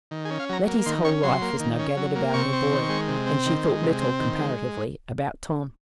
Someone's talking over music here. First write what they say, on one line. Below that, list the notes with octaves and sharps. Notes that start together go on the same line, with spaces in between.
Letty's whole life was now gathered about her boy, and she thought little, comparatively, about Tom.
D#3
G#4
C#4
F5
F#3 A#5
A#3
D#3 C6
C#4 C#6
F#3 C6
A#3
D#3
C#4
F#3
A#3
C3 C#6
C4
D#3
G#3
C3
C4
D#3
G#3
C3
C4
D#3
G#3